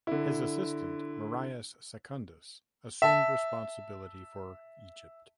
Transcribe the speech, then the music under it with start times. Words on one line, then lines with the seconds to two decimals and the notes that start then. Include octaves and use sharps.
His assistant Marius Secundus assumed responsibility for Egypt.
0.07 D3 E4
3.02 E5 A5